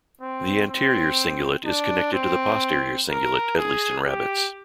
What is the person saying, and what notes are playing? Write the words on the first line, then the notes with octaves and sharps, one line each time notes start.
The anterior cingulate is connected to the posterior cingulate at least in rabbits.
C4
C4
D4
C4
A#4
G#4
G4